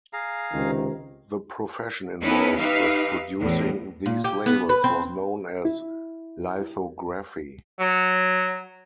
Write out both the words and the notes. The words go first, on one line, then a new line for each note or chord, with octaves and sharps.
The profession involved with producing these labels was known as lithography.
G#4 F5 A#5
C#2 C3 D#3
B3 C#4 D#4 E4 B4
D#4 G4 B4 E5 F5
E2 A2
A#2
G4
B3
B4
C4
E4
F#3